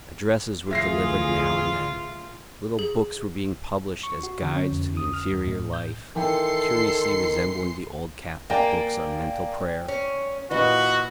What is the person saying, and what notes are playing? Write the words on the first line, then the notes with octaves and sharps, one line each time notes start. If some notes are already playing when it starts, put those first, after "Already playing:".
Addresses were delivered now and then; little books were being published as guides to the interior life, curiously resembling the old Catholic books on mental prayer.
A1 D2 E3 F4 G#4 E5 A#6 C7
G#4
C#6
F#4
D3
C#4
F2
D#6
F6
D#2
A2
G6
D#3 E3 A4 G5 C6 C7 C#7
A#3 D5 G5 G#5
C#4
A#2 E3 F#4 B4 D#5